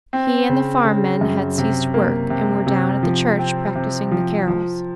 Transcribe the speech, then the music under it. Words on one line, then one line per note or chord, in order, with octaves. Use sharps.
He and the farm men had ceased work, and were down at the church, practising the carols.
C4
C#3
C#3
F#2
C3
A#3
C3
C3
F3
C4
C3
F3
F3